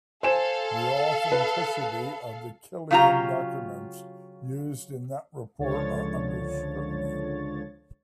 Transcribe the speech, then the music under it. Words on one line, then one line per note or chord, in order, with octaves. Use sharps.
The authenticity of the Killian documents used in that report are under scrutiny.
A4 C5 F5 G#5 E7
B4
C#3 F#3 F4 G4 A#5
C#2 D3 F3 C#5 A6